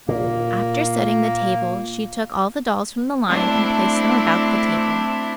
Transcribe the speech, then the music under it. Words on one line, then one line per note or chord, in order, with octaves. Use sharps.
After setting the table she took all the dolls from the line and placed them about the table.
A#2 A#3
A3 C4 D4 E4